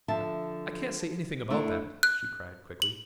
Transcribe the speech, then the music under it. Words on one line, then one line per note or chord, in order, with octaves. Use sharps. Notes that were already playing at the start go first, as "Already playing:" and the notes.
"I--I can't say anything about that!" she cried, quickly.
D3 F3 E5 A5
A3 D4 E4
F#6
F#7